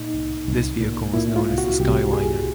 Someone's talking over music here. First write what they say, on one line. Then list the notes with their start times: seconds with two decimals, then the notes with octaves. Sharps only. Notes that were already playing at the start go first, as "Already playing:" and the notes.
This vehicle was known as the Skyliner.
Already playing: A#2 D#4
0.14 C2
0.47 C2
0.81 A#2
1.14 A#2 E4
1.36 F4
1.47 C2
1.58 F#4
1.80 C2 G4
2.13 A#2 G#4